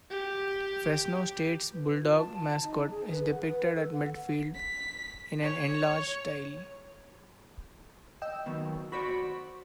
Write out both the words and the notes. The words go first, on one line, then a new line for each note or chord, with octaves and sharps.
Fresno State's Bulldog mascot is depicted at midfield in an enlarged style.
G4
B4
F4
A5
D#4
G#4
B4
F#5
B4
A4
F#5
B6
C#5
D#5 G5 E6
D#3 F#3 B3
F#4 C5 D5 B5 C#6 B6